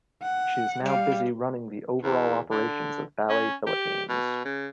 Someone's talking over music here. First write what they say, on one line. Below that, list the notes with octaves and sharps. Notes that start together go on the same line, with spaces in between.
She is now busy running the over-all operations of Ballet Philippines.
F#5
G3 F5
E2
D3
C#4
G4
B2
C#3